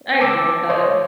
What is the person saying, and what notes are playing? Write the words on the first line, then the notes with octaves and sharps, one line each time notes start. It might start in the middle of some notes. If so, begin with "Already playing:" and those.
I agree with that.
A5 D6 E6
C5 C#5 D#5